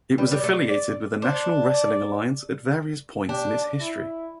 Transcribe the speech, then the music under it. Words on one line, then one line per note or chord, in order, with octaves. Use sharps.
It was affiliated with the National Wrestling Alliance at various points in its history.
G3 B4
G3
A3
D5
D4 C5
D5
D4 G4
E4